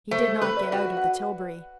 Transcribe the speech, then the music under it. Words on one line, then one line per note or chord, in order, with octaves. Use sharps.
He did not get out of the tilbury.
A3 C5
B4
D5
F#4
F#5